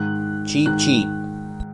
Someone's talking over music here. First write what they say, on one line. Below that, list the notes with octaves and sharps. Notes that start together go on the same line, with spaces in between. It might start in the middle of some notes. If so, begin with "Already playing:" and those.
Cheap, cheap.
Already playing: G#2 D#3 F#6
G#2 D#3 F#6